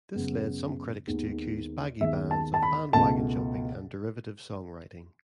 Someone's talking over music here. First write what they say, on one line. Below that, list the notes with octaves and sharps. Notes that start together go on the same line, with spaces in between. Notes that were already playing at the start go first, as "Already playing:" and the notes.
This led some critics to accuse baggy bands of bandwagon-jumping and derivative songwriting.
F#2 C#3 G#3 B3
D#2 D#3 G#3 B3
D#2 D#3 G#3 B3 E5
A5
A5
B5
C#2 B2 A3 A5